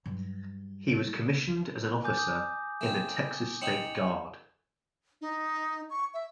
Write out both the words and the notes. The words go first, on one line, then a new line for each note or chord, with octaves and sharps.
He was commissioned as an officer in the Texas State Guard.
G2 F#3
G#5 D6 G6
D#6 G6
A3 C4
C4 D#4 C#7 F7 F#7
D#4
C#6
E5